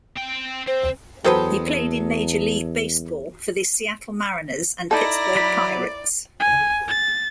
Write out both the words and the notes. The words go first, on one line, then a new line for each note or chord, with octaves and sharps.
He played in Major League Baseball for the Seattle Mariners and Pittsburgh Pirates.
C4 G5
C4 C5
E2 F#3 A4 B4 C5 G5 D#6
D#4 E4 A4 D5 A#5 A#6
F#3 B5
G#5
A6